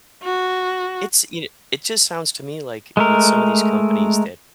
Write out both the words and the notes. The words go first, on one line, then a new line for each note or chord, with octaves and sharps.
It's you kn it just sounds to me like with some of these companies that, uh,
F#4
G#3 A3 A#4